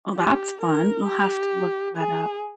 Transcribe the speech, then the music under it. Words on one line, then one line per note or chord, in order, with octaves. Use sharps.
Oh, that's fun, I'll have to look that up.
G4
A#4
G4
G#4